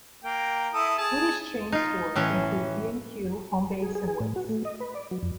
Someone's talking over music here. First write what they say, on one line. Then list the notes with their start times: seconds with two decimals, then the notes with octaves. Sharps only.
British chain stores include B and Q, Homebase, and Wickes.
0.24 A#3 G5
0.74 E4 A4 D#6
0.98 G#4 A5
1.72 D#4 F4
2.15 A2 E3 C#4
3.82 G#4
3.95 G#4
4.07 G#4
4.20 A2
4.36 F#4
4.49 A3
4.65 D#5
4.80 B4
4.95 D5
5.11 F#3
5.23 F2